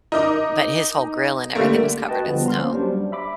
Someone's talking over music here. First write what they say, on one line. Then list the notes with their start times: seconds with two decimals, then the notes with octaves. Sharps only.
But his whole grill and everything was covered in snow.
0.12 D#4 A#4 D#5 D6
1.55 D3 G3 A3 A#3
2.08 F#4 B4 D#5 G5 A5
2.25 D3 F3 G3 B3
2.46 A#5 C6 F6
2.58 A#3 C#4 C5
2.73 F#3 G3 D4 C5
3.12 E5 B5 D6 B6